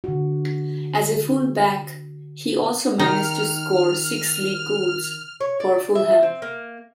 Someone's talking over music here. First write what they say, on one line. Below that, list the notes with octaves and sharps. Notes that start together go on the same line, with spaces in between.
As a full back he also managed to score six League goals for Fulham.
D3 F#4
D#3 D#4 F6
C#5
D5
E5
C4
A#3